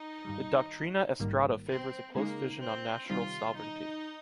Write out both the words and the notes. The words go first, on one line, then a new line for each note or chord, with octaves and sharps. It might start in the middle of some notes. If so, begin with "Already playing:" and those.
The Doctrina Estrada favors a close vision on national sovereignty.
Already playing: D#4
G2 D#3 G3
A#1 G#2 D#3 G3 A#3
C4
C#3 G#3 A#3 D#4
C4
C3 D#3 G3 C4 F4
D#4